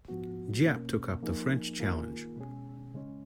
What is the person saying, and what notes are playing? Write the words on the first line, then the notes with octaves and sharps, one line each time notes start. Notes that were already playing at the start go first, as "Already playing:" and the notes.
Giap took up the French challenge.
G#2 F3 B3 F#4
B2 A#3 C#4
F3 A#3 D#4 G#4
D#3 A#3 F4 G#4
B2 G#3 C#4 G#4
C#3 G#3 C#4